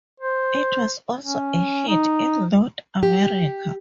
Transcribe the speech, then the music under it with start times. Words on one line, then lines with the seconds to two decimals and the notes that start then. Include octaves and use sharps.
It was also a hit in North America.
0.20 C5
1.21 C#4
1.88 D#4
3.03 G4